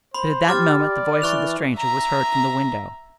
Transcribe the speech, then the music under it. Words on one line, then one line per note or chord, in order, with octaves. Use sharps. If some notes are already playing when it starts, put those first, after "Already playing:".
But at that moment the voice of the stranger was heard from the window.
C5 B5 C6
G4 D6 F6 A6
D5
E3 C#6 F#6 F7
E5 A#5